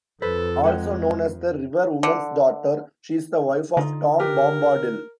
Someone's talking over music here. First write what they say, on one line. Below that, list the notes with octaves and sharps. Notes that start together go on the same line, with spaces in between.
Also known as the "River-woman's daughter", she is the wife of Tom Bombadil.
F2 A4 B4 C5
G#3 A4 F#5 G5
D3
D3 D#4 F4
G4 A#4 B4 G5